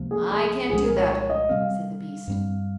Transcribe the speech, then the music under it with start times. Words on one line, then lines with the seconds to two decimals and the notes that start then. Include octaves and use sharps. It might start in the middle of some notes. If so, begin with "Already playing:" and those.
"I can't do that," said the beast.
Already playing: C#2 C3 F3 A#3
0.11 G#4
0.31 G#4
0.70 C2 A#2 F3 G#3 G#4
0.83 A#4
0.97 C#5
1.09 C#5
1.30 D#5
1.49 C3 G3 C4 F5
2.28 G2 G3 C4